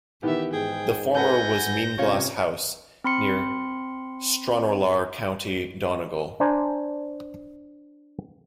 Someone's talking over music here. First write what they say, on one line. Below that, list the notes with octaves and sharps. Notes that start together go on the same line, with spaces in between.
The former was Meenglass House, near Stranorlar, County Donegal.
D#3 E3 B3 G4 E5
G#2 G#4 G5
A4 B4 F#5 G#5 G6 A#6
C3 C#4 F4 C#5
C4 B5 C6 C#7
D4 C5 G#5 A#5